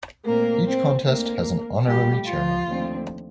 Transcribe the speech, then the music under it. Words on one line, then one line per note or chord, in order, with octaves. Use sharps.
Each contest has an Honorary Chairman.
A#2 A3 A#3 C4 A#4
C4 C5
D2 D3 A3 A#3 C4 A#4
A2 F3 G3 A3 G4
F3 F4
D#2 D3 F3 A3 C4